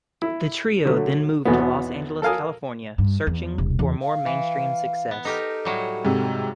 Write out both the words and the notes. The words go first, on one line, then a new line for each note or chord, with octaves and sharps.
The trio then moved to Los Angeles, California, searching for more mainstream success.
E4
D3 F#3 A3
G#1 E2 B2 F#3 B3
A4 A#4 F5 G#5 D#6
G2
E2
E1 C2
E2 C#3
F5
E3
B3
D#4 G4 A4 A#4
A2 F#3 G3
G#2 C3